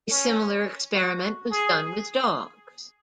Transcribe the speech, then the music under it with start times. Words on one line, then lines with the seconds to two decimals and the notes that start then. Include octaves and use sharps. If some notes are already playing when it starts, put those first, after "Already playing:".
A similar experiment was done with dogs.
0.10 C#4
0.95 F#4
1.51 G#4